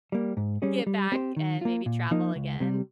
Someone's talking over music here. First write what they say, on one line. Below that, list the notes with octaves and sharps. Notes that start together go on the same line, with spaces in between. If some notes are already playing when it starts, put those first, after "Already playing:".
get back, and maybe travel again.
G3 A#3
G#2
G3 C#4 G#4
G3
C4 G4 C5
D#3
A#3 F4
A#2
F3 A#3 D#4
C#2
C3 G3